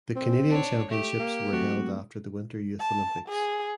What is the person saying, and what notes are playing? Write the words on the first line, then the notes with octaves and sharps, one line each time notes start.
The Canadian Championships were held after the Winter Youth Olympics.
C4
D4 C#5
A3 G4
A#3
F#3 A3 C4 F#4
A5
G#4